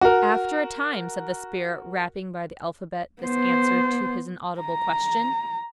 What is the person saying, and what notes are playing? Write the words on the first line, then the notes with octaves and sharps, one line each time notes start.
"After a time," said the spirit, rapping by the alphabet this answer to his inaudible question.
F#4 A#4
B3 C5
A#5